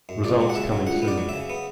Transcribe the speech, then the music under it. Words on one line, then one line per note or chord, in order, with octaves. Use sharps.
Results coming soon.
F#2
C#2 D5
F#3
F#5
C#3 E5
F#3
C#2 F#5
B3
D5
F#3
C#3 E5
B3